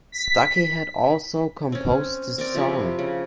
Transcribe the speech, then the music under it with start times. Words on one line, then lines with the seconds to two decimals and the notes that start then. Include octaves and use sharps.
Stuckey had also composed the song.
0.12 B6
1.72 C4 C#4
2.38 C4 A#4 D5
2.55 C3 F3 E4 C#6
2.99 C#3